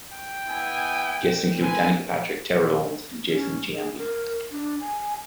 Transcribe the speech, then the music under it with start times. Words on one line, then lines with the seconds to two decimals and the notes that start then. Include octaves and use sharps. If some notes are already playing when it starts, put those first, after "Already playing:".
Guests included Danica Patrick, Terrell Owens and Jason Giambi.
0.16 G5
0.48 B3 E4 G#5
1.61 C4 B4 G#5
3.29 C#4
3.75 G#4
3.97 A#4
4.51 D4
4.80 G#5